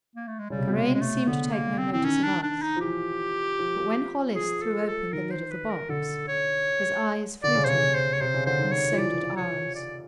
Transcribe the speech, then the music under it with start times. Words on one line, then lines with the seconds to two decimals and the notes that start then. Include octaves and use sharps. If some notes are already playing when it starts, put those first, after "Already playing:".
Karain seemed to take no notice of us, but when Hollis threw open the lid of the box his eyes flew to it--and so did ours.
0.16 A#3
0.27 A3
0.39 G#3
0.50 C#3 G3
0.58 C3
0.67 B2
0.75 C3 G#3
0.94 G#3
1.01 A3
1.27 D3 B3
1.53 A#3
1.78 C4
1.92 E3 C4
2.03 D#3 C#4
2.23 D4
2.43 D4
2.62 D#4
2.76 F3
2.81 E3 G4
3.59 F3
4.35 F3 G#4
4.61 A4
4.87 A4
5.12 D#3 A#4
5.31 C5
5.51 B4
5.70 A#4
5.89 D3 A4
6.28 C#5
7.43 D3 D5
7.55 C#3
7.64 C3 C5 C#5
7.77 C#3
7.95 C5
8.13 C#5
8.21 C3 C5
8.34 C#3
8.46 D3 C5
8.59 D#3
8.72 C#5
8.91 F3
8.97 E3 D5
9.37 C#5
9.75 D5